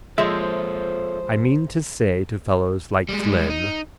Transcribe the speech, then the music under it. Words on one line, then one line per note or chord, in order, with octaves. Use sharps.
I mean to say to fellows like Flynn.
F3 G#3 F4 A4 C5 C#5 E5
G3 G#3
D#4